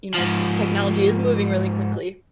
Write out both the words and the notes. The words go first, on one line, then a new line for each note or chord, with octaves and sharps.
you know, technology is moving really quickly.
G#2 F3